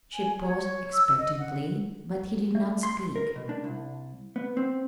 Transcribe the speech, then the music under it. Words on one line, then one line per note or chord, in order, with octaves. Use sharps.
She paused expectantly, but he did not speak.
G#5
C#5
C#5
E6
D#5
F#5
A3
C6
A#4
B2
D4
C2
B3
C4